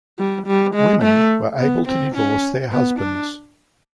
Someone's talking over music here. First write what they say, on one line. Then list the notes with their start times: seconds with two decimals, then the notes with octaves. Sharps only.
Women were able to divorce their husbands.
0.18 G3
0.47 G3
0.74 G#3
1.02 A3
1.58 B3
1.87 C4
2.15 C#4
2.72 B3
2.99 D4